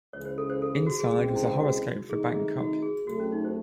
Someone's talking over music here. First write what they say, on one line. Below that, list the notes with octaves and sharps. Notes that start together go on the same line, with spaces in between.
Inside was a horoscope for Bangkok.
C#2 C#3 E3 G#3 C#5
C5
A4
C5
A4
G#4
F#4
G#4
C#2 C3 E3 G#3 C4 G#4
E4
F#4
C3 D#3 A3 D#4 G#4
G#4
F#4
G#4
C2 C3 F#3 A3 F#4
C#4
D#4
C5